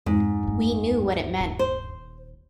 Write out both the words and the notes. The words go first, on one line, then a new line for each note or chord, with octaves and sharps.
We knew what it meant.
F2 G#2
D1 G2
D#1
C5